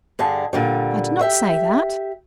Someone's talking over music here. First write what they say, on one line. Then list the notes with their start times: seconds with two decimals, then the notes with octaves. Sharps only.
"I did not say that."
0.19 G2 D3 G#4 A5
0.53 A#2 D3 G3
1.21 G4 E5